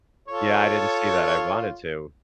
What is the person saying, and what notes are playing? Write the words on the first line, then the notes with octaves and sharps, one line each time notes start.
Yeah. I didn't see that, I wanted to.
F4 A4 C#5